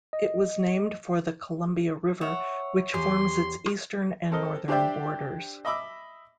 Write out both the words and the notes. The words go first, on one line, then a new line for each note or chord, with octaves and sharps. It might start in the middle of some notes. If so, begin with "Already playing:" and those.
It was named for the Columbia River, which forms its eastern and northern borders.
D#5
C#5 E5 F#5
E2 G4 G#5 C6
C4 A4 A#4 D#5
D4 G4 C5 D5 E5 G5
D#5 E5 B5 D6 E6